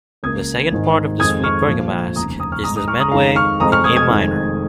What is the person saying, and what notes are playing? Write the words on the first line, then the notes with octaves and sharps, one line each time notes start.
The second part of the "Suite bergamasque" is the "Menuet", in A minor.
C#2 C#3 A#3 D#6 G#6
G#1 G#2 D#3 G#3
F2 D#3 G#3 D#6 G#6
C#6 F6
A#1 A#2 F3
F1 D#2 C#3 A#5 D#6
A#5 D#6
C#6 F6
G#1 G#2 G#3 A#5 D#6
A#5 D#6
C#6 F6
A#5 D#6
F2 D#3 G#3 F5 A#5
C#6 F6
F1 F2 F3 G#3 A#5 D#6
C#6 F6
D#6 G#6
D#6 G#6
F1 F2 D#3 G#3